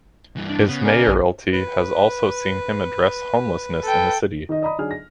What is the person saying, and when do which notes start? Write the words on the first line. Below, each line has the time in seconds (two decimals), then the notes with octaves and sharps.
His mayoralty has also seen him address homelessness in the city.
0.37 G2 E3
0.49 D4
0.69 C#3 B3
0.85 A#4 D5 G#5
1.08 A#1
1.52 B4
3.84 A4 G5
4.49 D#3 D#4 D#5
4.62 D5 D#5 A#5 B5 D#6
4.78 D3 F#3 D#4 G#4 D5 F6
4.91 A#6